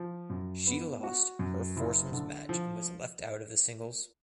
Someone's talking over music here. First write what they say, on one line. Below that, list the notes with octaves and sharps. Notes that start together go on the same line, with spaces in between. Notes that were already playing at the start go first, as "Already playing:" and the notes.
She lost her foursomes match and was left out of the singles.
Already playing: F3
F#2
B3
F#4
F#2
F#1
D3
F3